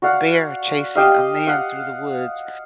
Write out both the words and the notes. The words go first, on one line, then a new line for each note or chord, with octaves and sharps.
bear chasing a man through the woods,
F#4 D5 F5 F#5
G4 D#5 F5
F5 F#5